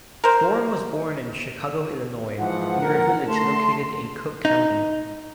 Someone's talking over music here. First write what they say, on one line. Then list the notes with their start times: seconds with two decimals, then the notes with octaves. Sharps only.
Storm was born in Chicago, Illinois, near a village located in Cook County.
0.24 A#4 C5
2.38 G#2 E3 F3 F#5
2.82 A#1 A#4
3.28 A3 A5 C6
4.45 D#4